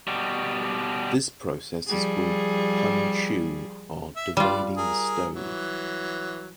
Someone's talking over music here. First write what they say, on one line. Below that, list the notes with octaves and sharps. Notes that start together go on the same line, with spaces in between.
This process is called "pun chu" or dividing the stove.
B2 G3
F3 G3 G#4
E5
G3 F4 B4 D5
G#4 A#4
E3 F#3